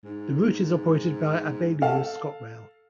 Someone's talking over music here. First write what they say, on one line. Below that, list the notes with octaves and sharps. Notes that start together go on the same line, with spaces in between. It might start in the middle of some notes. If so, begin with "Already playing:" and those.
The route is operated by Abellio ScotRail.
G#2
A4 F5